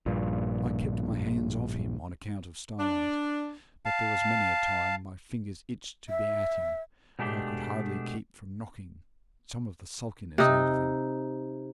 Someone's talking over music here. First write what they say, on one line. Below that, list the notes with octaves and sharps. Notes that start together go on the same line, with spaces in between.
I kept my hands off him on account of Starlight, but there was many a time my fingers itched to be at him, and I could hardly keep from knocking some of the sulkiness out of him.
A#1 G2 A#2
D4
F5 A5
E5
B2 G#3 A3 D4 G4 G#4
C3 D#4